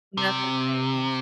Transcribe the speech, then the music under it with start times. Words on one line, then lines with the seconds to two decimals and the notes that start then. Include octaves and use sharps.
Nothing changed.
0.17 C3